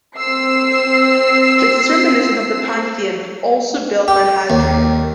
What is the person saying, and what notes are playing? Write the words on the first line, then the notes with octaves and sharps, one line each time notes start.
This is reminiscent of the Pantheon, also built by Hadrian.
C4 E6 C7
G4
D#2